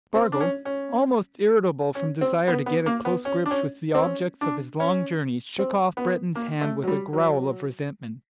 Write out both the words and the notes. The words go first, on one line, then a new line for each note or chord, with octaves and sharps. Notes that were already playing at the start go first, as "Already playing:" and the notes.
Spargo, almost irritable from desire to get at close grips with the objects of his long journey, shook off Breton's hand with a growl of resentment.
C4
D4
C#4
C#4
C#4
C4
B3
B3
A#3
B3
C#4
D4
C#4
C4
C#4
D4
C#4
C4
B3
A#3
A3
F#3
G3
F#3